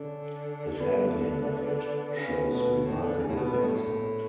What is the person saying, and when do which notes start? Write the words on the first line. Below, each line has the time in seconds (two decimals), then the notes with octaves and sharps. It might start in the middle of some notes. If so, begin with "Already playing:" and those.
His handling of it shows remarkable insight.
Already playing: D3 C#4
0.80 B3
2.16 C#3 C#4
2.29 B3
2.41 A3
2.50 B2 B3
2.85 A2
3.02 D3
3.19 C#3
3.29 A2
3.36 B2
3.46 B3
3.53 B2 A3
3.60 A2
3.68 G2
3.75 A2